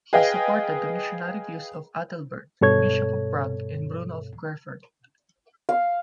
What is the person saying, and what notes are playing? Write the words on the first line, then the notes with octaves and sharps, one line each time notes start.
He supported the missionary views of Adalbert, Bishop of Prague, and Bruno of Querfurt.
G#4 B4 D#5 F5 G5
G2 B2 A4 C#5 G#6
F5